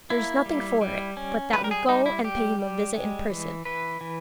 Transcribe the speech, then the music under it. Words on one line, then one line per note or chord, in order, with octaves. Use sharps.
There is nothing for it but that we go and pay him a visit in person.
A#3 E4
G3
G3
C#4
G3 B4
A#4
G#4
G3 D#4
E4
G3 G4
G3
G#3
E3
E3 B4
E3